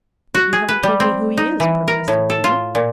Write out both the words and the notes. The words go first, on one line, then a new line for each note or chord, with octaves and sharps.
"But you haven't told me who he is," protested Peter.
F#4
G#4
B4
G3
C4
D#4
E3
A#4
A2
A4
F4
A#2